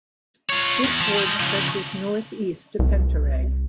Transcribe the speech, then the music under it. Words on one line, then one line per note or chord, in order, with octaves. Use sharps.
This ward stretches north east to Pencarreg.
F4 C#5
E2
F3
G3 G#3
C#3 F3
C2